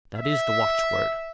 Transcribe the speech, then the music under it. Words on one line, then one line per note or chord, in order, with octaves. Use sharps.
That is the watch-word.
E5